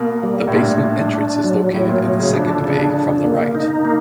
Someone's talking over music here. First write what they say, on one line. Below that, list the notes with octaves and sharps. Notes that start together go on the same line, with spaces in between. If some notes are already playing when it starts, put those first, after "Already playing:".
The basement entrance is located in the second bay from the right.
Already playing: B2 A#3
G3
A2
A#2 D4
D4
D4
F#3
A2 F#3
A#2
B2 F#3
C#3
F3 D4
D3
C#3 D4
B2
C#3 D4
A#3
D#4
A#3